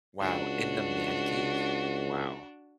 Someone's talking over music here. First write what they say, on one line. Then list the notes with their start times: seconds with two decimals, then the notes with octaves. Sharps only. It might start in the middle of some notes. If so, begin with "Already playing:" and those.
Wow! In the man cave? Wow!
0.21 C#2 D4 F#4